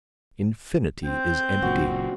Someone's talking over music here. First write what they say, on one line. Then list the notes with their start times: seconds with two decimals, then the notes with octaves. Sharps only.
Infinity is empty.
1.05 C4 G6
1.62 F#1 F#2 A#2 F#4 F#5